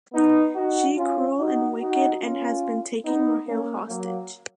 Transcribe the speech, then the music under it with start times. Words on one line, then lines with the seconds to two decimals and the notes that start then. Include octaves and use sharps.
She cruel and wicked and has been taking Rahil hostage.
0.14 B3 D#4
0.56 D#4 F#4
0.97 C#4 F4
1.39 D#4 F#4
1.81 D#4 F#4
2.22 C#4 F4
3.05 B3 D#4
3.47 A#3 C#4
3.89 F#3 A#3